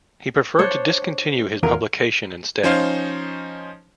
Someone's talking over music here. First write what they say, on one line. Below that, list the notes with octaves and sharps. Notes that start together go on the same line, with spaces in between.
He preferred to discontinue his publication instead.
D4 C5 C#5
E2 F4 A#4
F3 C#4 D#4 C5 F5